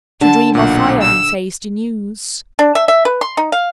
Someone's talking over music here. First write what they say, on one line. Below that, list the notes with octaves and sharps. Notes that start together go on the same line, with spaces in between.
To dream of fire means hasty news.
D3 A5
B1 A#2 F#5
E6
D4
E5
E5
B4
C6
D#4
F5